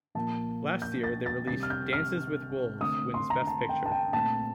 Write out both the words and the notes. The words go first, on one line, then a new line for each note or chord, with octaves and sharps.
Last year, they released "Dances with Wolves" wins Best Picture.
A#2 F3 A#3 A5
G6
A6
A6
C3 G3 C4 A6
F6
G6
F6
D3 A3 C4 D#6
C6
A#5
A5
G5
A5
G5
A#2 A3 C4 A5